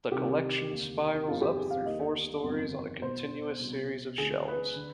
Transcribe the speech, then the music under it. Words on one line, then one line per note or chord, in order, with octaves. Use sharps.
The collection spirals up through four stories on a continuous series of shelves.
C2 C3 D#3 G4
F1 D#2 D3
D#4
G1 F2 D#3 F4
G4
G#4
F5
D#2 D#3 D#5
G1 F2 D#3
B1 B2 C5
C2 B2
D2 D3 G#4
B4
D3